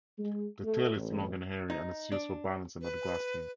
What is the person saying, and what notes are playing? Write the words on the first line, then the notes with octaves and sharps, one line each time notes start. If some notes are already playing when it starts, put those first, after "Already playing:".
The tail is long and hairy, and is used for balance and not grasping.
G#3
A3
A1
D#4
D4
B4